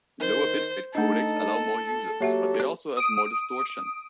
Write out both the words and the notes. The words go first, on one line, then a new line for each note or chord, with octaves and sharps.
Lower bitrate codecs allow more users, but they also have more distortion.
D#3 C5
A3 D4 D#4 A4
F#3 A#3 G4 E5 F#5
D#6 D7